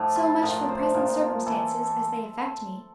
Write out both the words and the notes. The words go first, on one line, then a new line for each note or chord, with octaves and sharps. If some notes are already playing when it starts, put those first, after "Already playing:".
So much for present circumstances as they affect me.
Already playing: A2 F3 D4
F4
A2 F3 A#4
C5
A#2 F3 A#4
E3 A4